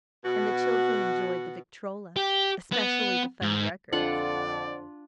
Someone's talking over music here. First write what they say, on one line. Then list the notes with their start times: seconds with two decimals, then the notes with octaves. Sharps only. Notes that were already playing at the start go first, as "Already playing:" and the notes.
And the children enjoyed the victrola, especially the funny records.
0.25 B2 F#4
2.17 G4
2.72 B3
3.42 G#2
3.93 F2 D3 D4 F4 D5 F#5